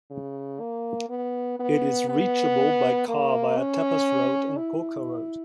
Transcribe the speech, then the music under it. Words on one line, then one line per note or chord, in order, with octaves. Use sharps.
It is reachable by car via Topaz Road and Gourka Road.
C#3
A#3
B3
B3
B3
A#3
C#4
E4